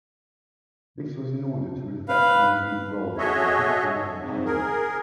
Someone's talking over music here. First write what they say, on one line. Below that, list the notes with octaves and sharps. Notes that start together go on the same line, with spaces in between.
This was in order to reflect management's role in the history of the band.
B4 F5
F#4 G#4 A4 C#5 D#5 E5
G#2 C3
G#4 A#4